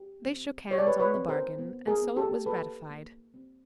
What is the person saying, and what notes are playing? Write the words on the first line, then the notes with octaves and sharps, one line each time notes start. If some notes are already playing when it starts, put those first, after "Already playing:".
They shook hands on the bargain, and so it was ratified.
Already playing: G4
C4
G4 C#5
D5
B4 C#5
B4 C#5
C4
A#4 C5
B3
G#4 A#4
B3
G4 A4
A#3 A4 B4
A#3
C4